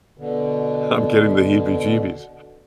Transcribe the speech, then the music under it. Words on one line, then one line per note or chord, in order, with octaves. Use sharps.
I'm getting the heebie-jeebies.
B2 D3